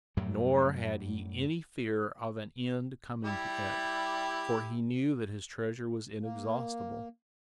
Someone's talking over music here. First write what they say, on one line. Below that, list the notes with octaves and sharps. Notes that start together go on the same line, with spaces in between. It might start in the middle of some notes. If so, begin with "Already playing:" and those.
Nor had he any fear of an end coming to it, for he knew that his treasure was inexhaustible.
F#2 A2 F#3 G3
G3 E4 G4
A#3